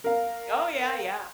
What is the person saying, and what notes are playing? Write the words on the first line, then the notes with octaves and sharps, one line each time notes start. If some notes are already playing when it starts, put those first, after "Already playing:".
Oh, yeah, yeah.
A#4 F5